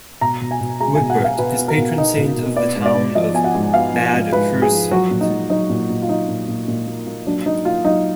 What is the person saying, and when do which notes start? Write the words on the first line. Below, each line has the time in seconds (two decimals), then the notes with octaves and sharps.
Wigbert is patron saint of the town of Bad Hersfeld.
0.21 B2 A#5
0.41 B2
0.51 G#5
0.61 B2
0.80 G#3 A#5
0.95 G#5
1.00 B2
1.10 F#5
1.20 B2 F5
1.39 B2 B4
1.59 B3
1.68 A#4
1.78 B2
1.97 B3 D#4
2.17 B2
2.37 B2
2.57 B3 D5
2.76 G#2
2.86 D5
2.95 G#2
3.15 F3 D#5
3.34 B3 G#5
3.44 F#5
3.55 G#2
3.74 B3 F5
3.94 F3
4.13 G#2
4.33 G#2 B4
4.52 G#2
4.62 G#4
4.72 F3
4.91 F#3 F#4
5.11 A#2
5.21 D#4
5.31 F#3
5.50 F#3 D#4
5.70 A#2
5.89 A#2
6.02 F4
6.09 F#3 D#4
6.28 A#2
6.48 A#2
6.68 A#2
6.87 A#3
7.07 A#3
7.26 F#3 D4
7.46 F#3 D#4
7.65 A#3 F4
7.85 F#3 D#4